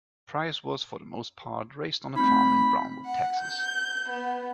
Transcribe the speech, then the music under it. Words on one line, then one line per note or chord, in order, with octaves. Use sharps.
Price was for the most part raised on a farm in Brownwood, Texas.
A3 C4 D#4 B5
F#5
G6
B3